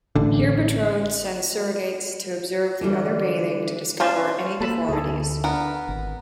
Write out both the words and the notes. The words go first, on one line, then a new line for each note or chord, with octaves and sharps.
Here betrothed send surrogates to observe the other bathing to discover any deformities.
A1 D3
D3 E3 G3
C#4 F4 C5 D5 A5
A#3 A4 A5 B5
D2 D3 G#4 A4
B3 D4 A#4
G#1